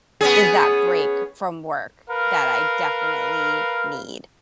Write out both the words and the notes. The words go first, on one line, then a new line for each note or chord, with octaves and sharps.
is that break from work that I definitely need.
B3 C#4 G#4
A#4 B4 F5